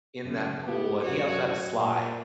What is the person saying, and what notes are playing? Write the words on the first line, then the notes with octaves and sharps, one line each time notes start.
in that pool, and he also had a slide.
F#2 C#3
B3 G4
F#2 F#4 C#5
A#2